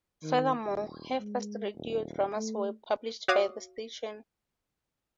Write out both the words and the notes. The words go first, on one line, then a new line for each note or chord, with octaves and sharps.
Furthermore, her first radio dramas were published by the station.
D#3
D#1
G#3
D#1
A3
F#4 C#5 F5 D6 D#6